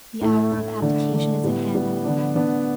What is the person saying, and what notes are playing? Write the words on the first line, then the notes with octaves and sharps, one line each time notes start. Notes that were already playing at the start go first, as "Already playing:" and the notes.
The hour of abdication is at hand, I fear.
A2 A3 E4
A2 A3 E4
D3 A3 D4
D3 A3 D4
A2 G3 B3
A2 G3 B3
D3 B3 D4
D3 B3 D4